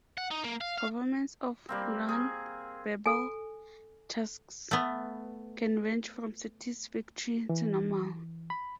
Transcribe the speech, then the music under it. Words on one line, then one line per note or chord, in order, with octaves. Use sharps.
Performance of nonverbal tasks can range from satisfactory to normal.
F#5
D#4
A#3
F5
F5
G3 A#3 C4
G#4
A4 G#5
A3 B3
E3
B5